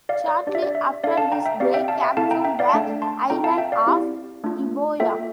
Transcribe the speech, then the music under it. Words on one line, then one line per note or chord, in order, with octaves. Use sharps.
Shortly after this, they captured the island of Euboea.
D5 F5
D5
D4 G4 D5
E5
D5
E5
D4 A4 D5 F5
F5 A5
G5 A#5
E5 G5
C4 G4 D5 F5
E5 G5
F5 A5
E5 G5
C4 E4 A4 F5 A5
G5 A#5
E5 G5
D5 F5
A5
A3 D4 A4 E5 G5
A5 C6
C4 F4 A4 G5 A#5
F5 A5
E5 G5
D5 F5
C4 E4 G4
A3 D4 F4
A#3 F4 A4 E5 G5